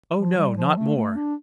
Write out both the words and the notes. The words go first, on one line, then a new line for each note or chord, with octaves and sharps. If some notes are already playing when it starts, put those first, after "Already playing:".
"Oh, no, not more!"
F3
G3
F3
A3
A3
D4